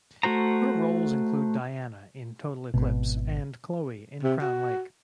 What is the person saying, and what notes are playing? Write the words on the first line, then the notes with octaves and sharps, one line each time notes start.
Her roles include Diana in "Total Eclipse" and Chloe in "Crown Lake".
A3 F#4 C5 A#5
G#1 B2
C3
F#4